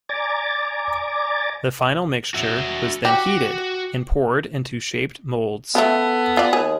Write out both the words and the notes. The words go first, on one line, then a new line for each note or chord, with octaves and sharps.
The final mixture was then heated and poured into shaped molds.
D5 G#5 A#5 D6 A6
F#4 E5
F#4 G4
C#3 A3 B3 A4
F4 D5
D#2 G#4